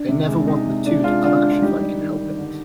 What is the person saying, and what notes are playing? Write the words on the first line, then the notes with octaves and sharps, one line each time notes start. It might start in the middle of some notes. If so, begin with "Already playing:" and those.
I never want the two to clash if I can help it.
Already playing: D4
C3
G#3
C3 D#4
C3
G#3 D4
G#3 D4 F4
D3 D4 F4
D3
F4
G3 D#4 G4
G3
D#3
D#3
D3